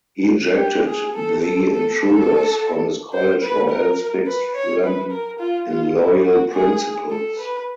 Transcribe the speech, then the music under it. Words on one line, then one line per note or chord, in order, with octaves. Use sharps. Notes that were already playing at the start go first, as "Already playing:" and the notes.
He ejected the intruders from his college or else fixed them in loyal principles.
G4
G#4
A4
A4
A4
A4
C5
B4
A#4
B4
C#5
B4
A#4
F4
F4
E4
F#4
G#4
A4
B4